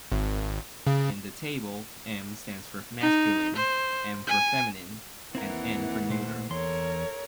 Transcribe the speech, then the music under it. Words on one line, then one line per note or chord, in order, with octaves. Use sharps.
In the table, "m." stands for masculine, "f." for feminine, and "n." for neuter.
G#1
C#3
D#4
C5
G#5
D#2 E3 C4 E4 A#4 F#5
A#2 A3 C5
E2 A4 A#4 C#5 C6